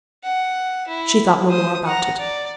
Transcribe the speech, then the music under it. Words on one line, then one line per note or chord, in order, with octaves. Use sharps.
She thought no more about it.
F#5
E4
C5 D#6
F#5 A#5
D5